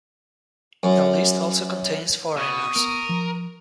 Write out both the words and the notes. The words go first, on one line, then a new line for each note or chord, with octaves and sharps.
The list also contains foreigners.
F#2
B2 C#6 D#6
B3 A#4
F3